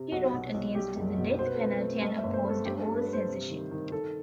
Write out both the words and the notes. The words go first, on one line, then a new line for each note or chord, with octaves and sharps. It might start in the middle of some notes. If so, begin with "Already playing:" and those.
He wrote against the death penalty and opposed all censorship.
Already playing: C3
B1 F#4
B2
B1
G3 G4
F#1
B2
B2 C5
B4
A4
C4 B4
A3
A3 D#5
E5
G1
C5
A3 A4
G2 G4
A4
G2
B4
G2
C5
C3
D#3
D#3
D#3 A4